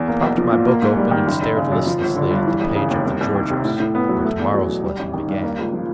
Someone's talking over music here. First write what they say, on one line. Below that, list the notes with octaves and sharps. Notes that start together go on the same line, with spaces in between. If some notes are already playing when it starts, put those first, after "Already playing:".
I propped my book open and stared listlessly at the page of the Georgics where to-morrow's lesson began.
Already playing: E2
A#3
B1
F3
A#2
A#3
G#2
G3
D#3
F#1
F#1
C#3
F#2
F3
G1
D3
G2
E3
E1
C#3
D#2
C2
C2
D#3
C3
A2
A2
B3
F#3
A3
E2
F#3
B2
G3
A1
D#3
G2
A#3
C#2
F3